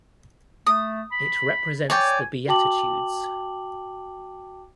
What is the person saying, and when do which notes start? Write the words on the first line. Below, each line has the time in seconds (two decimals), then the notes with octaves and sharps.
It represents the Beatitudes.
0.66 A3 D#6
1.12 B5
1.90 C#5 D5 G5 G#5
2.48 F#4 G5 A5 D6 F#7